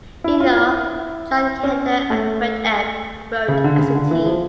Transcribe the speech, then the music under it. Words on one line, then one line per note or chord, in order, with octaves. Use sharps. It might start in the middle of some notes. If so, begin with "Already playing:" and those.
You know, John Kander and Fred Ebb wrote as a team.
E4
F4
E4
C#4
A3
C#3
D3
C#3
D3
E3
F3